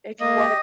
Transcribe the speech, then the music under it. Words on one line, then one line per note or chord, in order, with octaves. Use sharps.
if you want a
A#3 D#5
G4